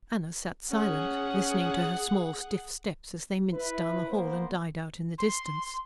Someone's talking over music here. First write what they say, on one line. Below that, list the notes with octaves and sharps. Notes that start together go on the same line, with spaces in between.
Anna sat silent, listening to her small stiff steps as they minced down the hall and died out in the distance.
C#4 G#4 F#5
E4 B4
A#3 B3 C5
C6